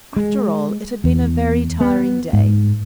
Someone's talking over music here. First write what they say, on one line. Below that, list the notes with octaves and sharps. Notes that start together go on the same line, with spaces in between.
After all, it had been a very tiring day.
G#3
E2
B3
G#2